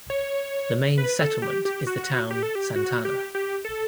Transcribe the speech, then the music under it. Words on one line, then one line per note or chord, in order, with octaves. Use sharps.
The main settlement is the town Santana.
C#5
B4
A4
G4
G4
F#4
G4
A4
G4
F#4
G4
G4
A4